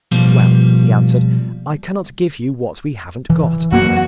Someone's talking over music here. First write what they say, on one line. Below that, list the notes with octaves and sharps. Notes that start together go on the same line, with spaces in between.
"Well," he answered, "I cannot give you what we haven't got."
B2 F3 G3 A#3
E3
F#2 A#3 B3 F#4